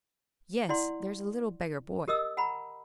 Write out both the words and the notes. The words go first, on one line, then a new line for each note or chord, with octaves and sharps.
"Yes; there's a little beggar boy."
E4 D5 F#5 C6
G4 A#4 D#5 D#6 E6
F#5 A#5 B5